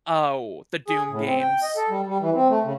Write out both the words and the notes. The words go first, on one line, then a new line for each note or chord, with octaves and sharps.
oh, the Doom games.
G#4
A2
C4
G5
D#5
A4
G3
G3
E3
C4
A3
C#3